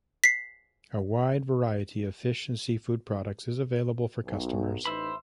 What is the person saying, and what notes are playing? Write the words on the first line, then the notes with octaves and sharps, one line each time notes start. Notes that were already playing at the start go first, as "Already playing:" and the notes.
A wide variety of fish and seafood products is available for customers.
B6 C7
B1
A1 D#4 B4 C5 E5 B5